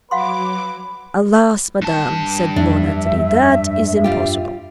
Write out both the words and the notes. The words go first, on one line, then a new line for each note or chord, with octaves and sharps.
"Alas, Madame!" said Lord Antony, "that is impossible."
F#3 B4 F5 F#5 C6 D6
G2 A5
F2 D4 E5
G3 F4 G4